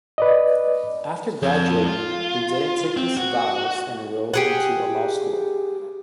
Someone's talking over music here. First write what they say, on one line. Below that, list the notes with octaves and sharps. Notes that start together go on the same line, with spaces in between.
After graduating he didn't take his vows and enrolled into a law school.
B4 D5 D#5
F2
F4
C4
F#4
G4 G#4 F#5